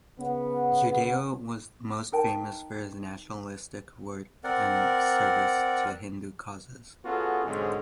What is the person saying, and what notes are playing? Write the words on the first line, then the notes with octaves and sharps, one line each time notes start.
Judeo was most famous for his nationalistic work and service to Hindu causes.
C#3 B3
D#4 A#4 G5 A5
C4 A#4 D5 F#5
B3 C#4 F4 F#4 G#4 A4
B1 G#2 D3 C4 C#4 G#4